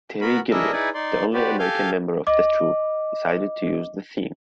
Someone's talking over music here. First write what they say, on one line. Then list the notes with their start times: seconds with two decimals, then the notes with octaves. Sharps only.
Terry Gilliam, the only American member of the troupe, decided to use the theme.
0.21 B3 F#4 A#4 B5
0.52 D4 E4 G#4 A#4 D#5 E5
0.72 D#4 E4 G#4 B4 D5 G#5
0.94 D#4 D5 C6
1.34 F#4 G4 B4 C5 D5
1.59 G4 A4 F5 G#5 F6 G6
2.27 D#5 D6